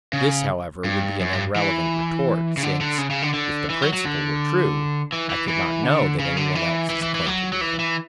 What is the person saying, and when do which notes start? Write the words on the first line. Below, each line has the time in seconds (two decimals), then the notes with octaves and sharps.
This, however, would be an irrelevant retort, since, if the principle were true, I could not know that any one else is acquainted with him.
0.13 C#3
0.84 G2
1.20 F#2
1.33 G2
1.56 E3
2.57 C#3
2.63 D3
2.81 D3
2.98 C#3
3.10 C#3
3.22 D3
3.34 D3
3.70 E3
3.82 F#3
3.93 F#3
4.05 D3
5.12 E3
5.30 E3
5.48 E3
5.83 D3
6.19 C#3
6.37 D3
6.55 E3
6.90 E3
7.03 E3
7.15 E3
7.26 F#3
7.53 F#3
7.61 E3
7.79 E3